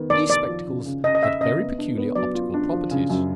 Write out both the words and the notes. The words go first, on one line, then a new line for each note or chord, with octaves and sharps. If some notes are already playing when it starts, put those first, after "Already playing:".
These spectacles had very peculiar optical properties.
Already playing: D#3 B3
D#3 D5
D#3 D5
F3
C#3
C#3
C#3 D#5
D#5
C#3 E5
C#3 D#5
B3
D4
B3
F#3 D5
F4
D4
F3
C#3
F#2